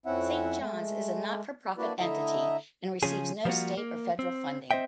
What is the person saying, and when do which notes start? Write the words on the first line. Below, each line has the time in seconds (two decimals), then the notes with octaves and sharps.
Saint John's is a not-for-profit entity and receives no state or federal funding.
0.06 F2 C4 C#4 E4 E5 F#5
0.59 G#3 A3
1.78 A#3 D4 E4 F#4 B4 D5
1.99 D3 A3 E4 D#5 E5 A#5
3.03 C#3 F3 C#4 G#4
3.45 F3 G3 A#3 B3 F4 F#4
3.77 A#3
4.19 C4
4.71 C4 C5 D#5 E5 G5